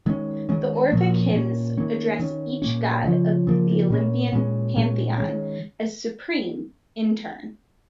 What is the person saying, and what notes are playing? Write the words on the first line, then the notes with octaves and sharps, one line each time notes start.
The Orphic Hymns address each god of the Olympian pantheon as supreme in turn.
D#3 G#3 C#4
D#3 G#3 C#4
A#2 F3 A#3 C#4
A#2 A#3 C#4
D#3 A#3 C#4
D#3 C#4
A#2 A#3 C#4
C#3 F3 C#4
C#3 F3 A#3
A#2 A#3 C#4
A#2 G#3 C#4
A#2 G#3 C#4
D#3 G#3 C#4